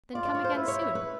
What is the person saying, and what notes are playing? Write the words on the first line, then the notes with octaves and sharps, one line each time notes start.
Then come again soon.
F4 D5
D5
C#5
C5
E4 B4
C#5
C#5
B4